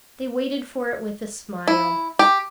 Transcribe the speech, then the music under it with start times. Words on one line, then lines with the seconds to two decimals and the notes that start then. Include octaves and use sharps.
They waited for it with a smile.
1.68 E4
2.19 G4